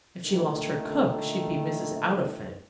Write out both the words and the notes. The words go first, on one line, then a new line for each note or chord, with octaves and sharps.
If she lost her cook she'd be Mrs. Outofit.
A#2 D3 D#3 A3 A#3